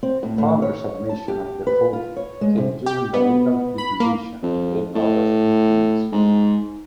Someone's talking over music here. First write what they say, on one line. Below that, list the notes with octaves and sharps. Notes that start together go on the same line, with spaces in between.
Fowler's admission of default came during a legal deposition in late August in Phoenix.
C4
A2
A2
C#5
A5
G4
B4
F4
C#5
G#3
C3
G4
B3
B5
A#3
F2
A2
G#2